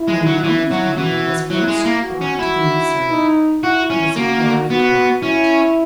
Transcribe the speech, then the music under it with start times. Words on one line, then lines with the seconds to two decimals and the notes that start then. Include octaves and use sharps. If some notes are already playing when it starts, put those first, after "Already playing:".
When Raggedy Andy was first brought to the nursery he was very quiet.
Already playing: E4
0.08 G#3
0.26 F#3
0.44 E3 E4
0.71 F#3
0.97 E3 F#4
1.50 F#3 E4
1.68 G#3
1.85 A#3
2.03 F#4
2.21 C#4
2.39 E4
3.10 D#4
3.63 E4 F#4
3.90 C#4
4.16 A#3 F#4
4.70 B3 F#4
5.23 C#4 E4